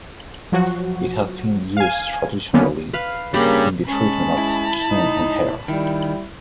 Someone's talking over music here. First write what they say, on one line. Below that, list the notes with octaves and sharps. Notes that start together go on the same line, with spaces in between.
It has been used traditionally in the treatment of skin and hair.
F3 F#3 F#4
F5 G#5
D3 D#3 F#3 A#3 B3 C#4
B4 F5
G2 C#3 G3 A#3 G4 B5
G#3 C#4 A5 B5
E4
G#3 D#4
D#3 G3 E4